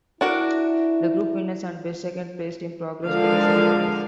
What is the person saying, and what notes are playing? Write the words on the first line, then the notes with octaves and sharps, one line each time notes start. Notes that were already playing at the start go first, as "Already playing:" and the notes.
The group winners and best second place team progressed to the semi-finals.
D4 E4 F#4 A#4
D3 F3 G#3 A#4 D5 F5